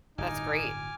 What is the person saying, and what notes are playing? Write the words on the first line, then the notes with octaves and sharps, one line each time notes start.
That's great.
D1 G1 D#4 G#5 D6 F6